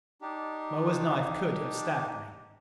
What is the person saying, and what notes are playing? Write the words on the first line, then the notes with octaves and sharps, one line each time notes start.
Moa's knife could have stabbed me.
D4 D#4 G4